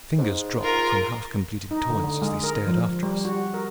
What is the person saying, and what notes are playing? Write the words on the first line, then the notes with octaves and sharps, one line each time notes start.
Fingers dropped from half-completed Toys as they stared after us.
G#2
F4 A#4
D#4
D3
D3
G#3
A#4
F3
G3
F#4
A#4